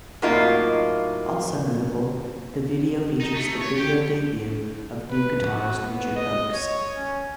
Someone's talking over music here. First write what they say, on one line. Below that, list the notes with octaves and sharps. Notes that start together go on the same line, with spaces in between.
Also notable, the video features the video debut of new guitarist Richard Oakes.
A2 F#3 A#3 D#4 F4
D#4
A3
C#5
G4
B4
F#4
B3
D#5
C#5
C#4